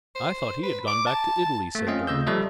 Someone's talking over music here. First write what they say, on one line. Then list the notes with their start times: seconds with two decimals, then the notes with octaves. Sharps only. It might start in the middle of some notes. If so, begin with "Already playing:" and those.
"I thought he had gone back to Italy," said Durham.
0.15 C5
0.63 B4
0.87 D6
1.07 A5
1.75 A3 A#3
1.87 C4 C#4 F4 D#5 F5
2.07 C#3 A3 D#5 E6 G6
2.27 F3 G3 A4 C5 D#5 E5